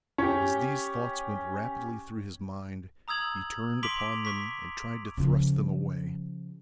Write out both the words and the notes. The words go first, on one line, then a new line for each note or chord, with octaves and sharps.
As these thoughts went rapidly through his mind, he turned upon them and tried to thrust them away.
C#4 G4
A#5 D#6 E6 G#6 F#7
C6 D6 B6 D7 F7 F#7
C#6 B6
C#3 F3